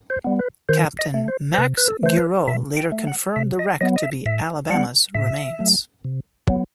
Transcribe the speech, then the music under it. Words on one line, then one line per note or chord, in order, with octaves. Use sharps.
Captain Max Guerout later confirmed the wreck to be "Alabama"'s remains.
C5
G3 B3
B4
D#3 C5
D#5
A3
C5
C5
C3 B4
B4
A4
E3 A3 C5
B4
B2 E5
G5
A3
F#5
C3 E5
D#5
F#3 B3 D#5
D#5
E5
A2 E5
G3 B3 F#5
A2 E5
F#3 A3
C3
F#3 B3